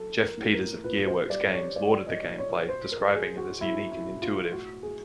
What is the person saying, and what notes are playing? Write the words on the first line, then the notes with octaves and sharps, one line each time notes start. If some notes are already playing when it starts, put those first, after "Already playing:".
Jeff Peters of GearWorks Games lauded the gameplay, describing it as unique and intuitive.
Already playing: F#3 A4
A#4
A2
A#4
A#2 B4
C5
G3 D5
C#5
G3 D5
D#5
A#2
C#5
B2 C5
A#4
F#3 G#4
F#4
F#3 E4
E4
B2
F4
A2 F#4
G#4